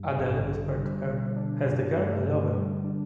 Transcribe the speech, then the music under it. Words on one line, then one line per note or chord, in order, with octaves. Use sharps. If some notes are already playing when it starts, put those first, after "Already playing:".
Adele whispered to her: "Has the girl a lover?"
Already playing: G2
A1
D3
G3
B2
D4
G2
A3
D3
G3
D4